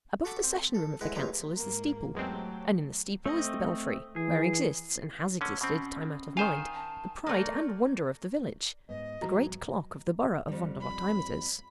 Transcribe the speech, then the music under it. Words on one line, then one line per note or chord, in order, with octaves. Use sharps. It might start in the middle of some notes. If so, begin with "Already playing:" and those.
Above the session-room of the Council is the steeple, and in the steeple is the belfry, where exists, and has existed time out of mind, the pride and wonder of the village--the great clock of the borough of Vondervotteimittiss.
F#4 A4 F#5 A5 B5 D6
C4
A4
G#3 E4 B4 D#5 F#5 G5
A1 D#2 F#3 G#3 B4 A#5
G#2 A#3
E2 F#3 G#3 A3 C4 G4 A4
A3 C4 D#5
E3 G#4
D3 C#4
B2 C4 C#4
D#3 C5 F5 G#5
A5
A3 A#3 D5
G#2 B3 D#5
E2 G#2 F#3 F#4 A#5
F2 G3
B5